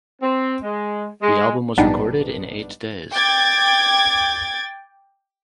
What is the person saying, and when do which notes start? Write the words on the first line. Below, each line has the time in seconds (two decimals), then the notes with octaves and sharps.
The album was recorded in eight days.
0.22 C4
0.64 G#3
1.22 G#3
1.77 A#1 G#2 G3 B3 D4 D#4
3.13 G5 D6 G#6 A6